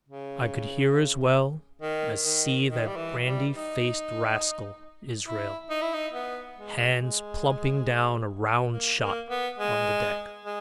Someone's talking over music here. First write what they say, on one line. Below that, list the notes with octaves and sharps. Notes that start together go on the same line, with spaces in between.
I could hear as well as see that brandy-faced rascal Israel Hands plumping down a round-shot on the deck.
C#3
D#3
D#3
D#3
G3
E3
G3
D#4
E4
D#4
E4
D#4
B3
G#3
G#3
A#3
A#3
B3
G#3
G#3